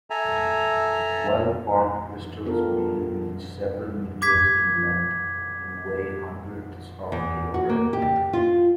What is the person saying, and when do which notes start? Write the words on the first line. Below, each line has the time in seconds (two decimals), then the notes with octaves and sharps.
Well-formed crystals may reach several meters in length and weigh hundreds of kilograms.
0.10 A4 E5 G#5 A#5
2.46 B3 D4 F4 G4 A4 A#4
4.22 D6 G#6 B6
7.12 E2
7.54 F#4
7.69 A#3
7.93 G4
8.33 F4